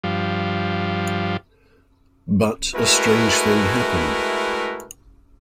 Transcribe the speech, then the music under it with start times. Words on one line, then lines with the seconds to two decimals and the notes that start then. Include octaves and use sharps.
But a strange thing happened.
0.04 G2 F3
2.75 G#3 A3 E4 F#4 A#4 B4